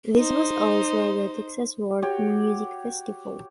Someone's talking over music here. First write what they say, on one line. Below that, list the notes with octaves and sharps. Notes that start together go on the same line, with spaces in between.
This was also the Texas World Music Festival.
D#4 C5
F#4 G4 C#5